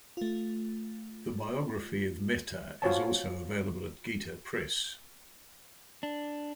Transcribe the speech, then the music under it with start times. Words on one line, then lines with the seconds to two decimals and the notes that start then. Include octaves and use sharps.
The biography of Mehta is also available at Geeta Press.
0.17 A3 F4
2.82 F4 F#4 C5 C#5 G#5 A5
6.03 D4